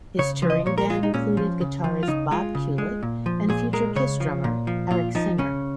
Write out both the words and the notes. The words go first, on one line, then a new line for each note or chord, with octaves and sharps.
His touring band included guitarist Bob Kulick and future Kiss drummer Eric Singer.
C#3 C#5
F3
D#5
A#2 C#5
A#4
G#3 F4
D#4
A#2 C#4
F3
C#3
F3
F4
C#3 D#4
G#3 F4
C#3
G#3
A#2
F3
A#2 G#4
G#3 A#4
C#3 C#5
F3
A#2
F3
A#2 F4
F3 D#4
C#3 C#4